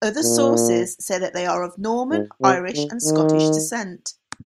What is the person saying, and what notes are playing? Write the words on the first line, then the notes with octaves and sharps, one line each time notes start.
Other sources say that they are of Norman, Irish and Scottish descent.
A#2
G#2
C3
D3
D#3